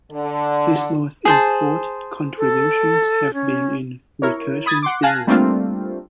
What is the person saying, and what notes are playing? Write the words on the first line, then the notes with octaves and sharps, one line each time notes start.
His most important contributions have been in recursion theory.
D3
G#4 C5 A5
A4
C#4
E4 A#4 C#5
B5 D#6 G#6 A6
F#5 C6 D6
F5 G#5 A5 F#6 A#6
G3 A3 A#3 C4 D4 F4